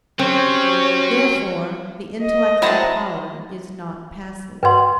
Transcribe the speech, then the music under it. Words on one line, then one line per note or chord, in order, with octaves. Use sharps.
Therefore the intellectual power is not passive.
F#3 C4 C#4 G4
D#5
F#3 C4 D4 E4 A5 A#5
G2 B4 D#5 F#5 C6